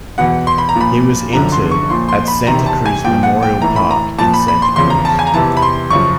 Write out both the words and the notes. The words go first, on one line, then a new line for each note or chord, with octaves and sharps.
He was interred at Santa Cruz Memorial Park in Santa Cruz.
E2 B2 F#5
C6
B5
A#5
A#2 F3 B5
F#2 D3 F3 A#5
C6
C#6
A#2 F3 C6
C6
B5
E2 C3 D#3 A#5
A5
G#5
A#2 F3 G5
F#5
G5
A2 E3 A#5
B5
A#5
A#2 F3 A5
B5
B5
C6
E2 C#3 F3 C6
A#5
A5
G#5
A#5
E2 C3 E3 A5
B5
C6
F#2 C#3 F3 C#6